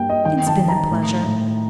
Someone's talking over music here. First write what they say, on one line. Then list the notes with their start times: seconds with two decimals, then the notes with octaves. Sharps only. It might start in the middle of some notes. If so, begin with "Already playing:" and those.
"It's been a pleasure."
Already playing: G2 A#3 G5
0.09 D#5
0.25 D#3 G5
0.47 A5
0.57 D#3
0.68 A#5
0.90 A2
1.23 A2